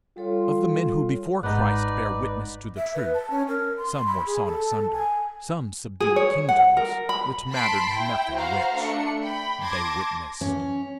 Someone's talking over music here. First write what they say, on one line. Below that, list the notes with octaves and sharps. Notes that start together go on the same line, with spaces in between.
Of the men who before Christ bare witness to the truth, some were sawn asunder, some subdued kingdoms; it mattered nothing which: they witnessed.
G3 F4 A4 C#5
G#1 G#2 G#3 D#4 B4 D5 F#5
E5
B4
A5
C#4
A#4
C6
B5
G#4
A4
A4
G#5
G#4
C#5
F#5
A#4
B5
A5 B5 C6 B6 C7 D7
E4 G5
F#4 C5 F5 A#5
A3 D4 C#7
G5 B5
A5 C6 D6 G#6 A#6
C#4